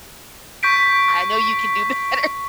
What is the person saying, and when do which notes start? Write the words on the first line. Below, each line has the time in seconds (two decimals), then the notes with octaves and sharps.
I know you can do better."
0.63 C#6 G6 B6 D7